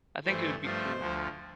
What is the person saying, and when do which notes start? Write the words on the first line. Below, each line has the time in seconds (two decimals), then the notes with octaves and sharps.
I think it would be cool.
0.25 G2 E3 A3 C5
0.62 G2 F3 A3 C5
0.98 D2 D3 F3